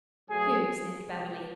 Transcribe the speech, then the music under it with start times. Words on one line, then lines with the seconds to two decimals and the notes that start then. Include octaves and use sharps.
"Pooh!" sniffed Beverly.
0.28 B2 F#3 A3 G#4
1.07 C3 E3 G#3 G4